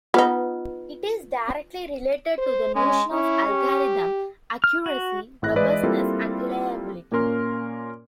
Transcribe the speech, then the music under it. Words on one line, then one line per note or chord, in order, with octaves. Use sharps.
It is directly related to the notion of algorithm accuracy, robustness, and reliability.
B3 D#4 F4 B4
C5
G#3 C#4
C#4 E4
G4
F6
F#4
G#1 A2 E4 F#6 A#6
E3 G#3 E4 B4 D5 D#5
G3 A#3 C4 E4 F4 A4
A#2 A#3 C#4 A#4 C6 F6